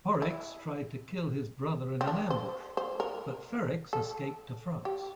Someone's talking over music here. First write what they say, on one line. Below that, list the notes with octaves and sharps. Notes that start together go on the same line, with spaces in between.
Porrex tried to kill his brother in an ambush, but Ferrex escaped to France.
E4
C4
D4
C5
C5
A#4
A4
G4